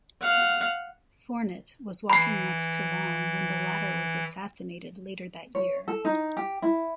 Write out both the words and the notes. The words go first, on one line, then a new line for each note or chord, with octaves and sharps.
Fournet was walking next to Long when the latter was assassinated later that year.
F5 F#5
E3 B5 C7
C#5
A4
D#4
G4
E4